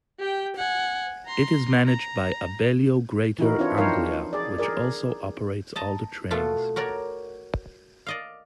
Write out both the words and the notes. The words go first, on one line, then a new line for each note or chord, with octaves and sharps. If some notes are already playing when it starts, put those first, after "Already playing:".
It is managed by Abellio Greater Anglia, which also operates all the trains.
G4 G5
F#5 G#5
A#5 C6
A#5
E3 D#4 E4 F#4 A#4
C4 D4 E4 F4 C#5
F3 D#4 A#4 C5 C#5 F5
G#4 D5
G#4 A#4 D5
D#5 A5 A#5
B2 A3 F4
F#4 A#4 C#5 D5
D5 D#5 F5